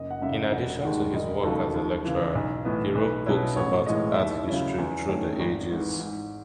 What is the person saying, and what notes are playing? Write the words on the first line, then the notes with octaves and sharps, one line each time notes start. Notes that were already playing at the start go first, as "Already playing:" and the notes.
In addition to his work as a lecturer, he wrote books about art history through the ages.
Already playing: F#1 D#5
F#5
F#2 C#3 E5
E1 F#5
D#2 D#3 G#3 F#5
E1 D#5
D#2 C#3 F#3 A4
D#2
C#3 E3
B1
A2 E3 B3
B1 B4
B2 F#3 C#4 E4 B4
A1 C#5
A2 E3 G#3 D#5
D#2 E5
C#3 F#3 C#4 E4
E2
D#3 A3 C#4
G#1
G#2 E3
G#2